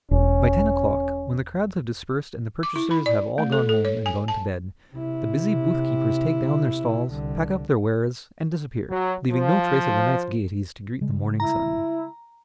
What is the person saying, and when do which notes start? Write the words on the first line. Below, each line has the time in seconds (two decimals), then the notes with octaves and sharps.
By ten o'clock, when the crowds have dispersed and the purchasers have all gone home and gone to bed, the busy booth-keepers take down their stalls, pack up their wares, and disappear, leaving no trace of the night's gayeties to greet the morning sun.
0.11 E1 C#4
2.63 D6
2.76 E4
2.91 B5
3.06 D5
3.38 A3
3.52 A4
3.69 A4
3.85 C#5
4.06 G#5
4.28 A5
4.93 C3 E4
7.10 C2 D3
8.89 F#3
9.31 F3
11.01 C#3 G3 G#3
11.40 E4 A#5